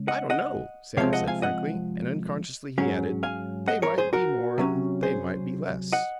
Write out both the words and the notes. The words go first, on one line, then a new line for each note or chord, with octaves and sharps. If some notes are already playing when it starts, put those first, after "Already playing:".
"I don't know," Sam said frankly, and, unconsciously, he added, "They might be more and they might be less."
Already playing: C#3 G#3
D#5 F#5
D#5 F#5
C3 F3 G#3 C4 C#5 F5
D#5 F#5
F5 G#5
D#5 F#5
G#2 F#3 C#4
F5 G#5
D#5 F#5
A#4 C#5
G#4 C5
F#4 A#4
C3 F#3 C#4
G#4 C5
D#5 F#5